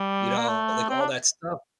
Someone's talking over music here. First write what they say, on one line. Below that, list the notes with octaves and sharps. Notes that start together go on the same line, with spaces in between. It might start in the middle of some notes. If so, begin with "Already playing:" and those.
you know, like, all that stuff?
Already playing: G3
A#3
A3
C4
D4